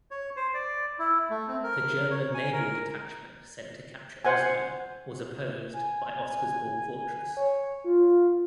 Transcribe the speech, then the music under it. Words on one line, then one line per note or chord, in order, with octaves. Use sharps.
The German naval detachment sent to capture Oslo was opposed by Oscarsborg Fortress.
C#5
C5
D5
E4
A3
C4
A#4
C#5
G#5
A#4
C5 F#5 G#5
G#5
G#5
C#5
F4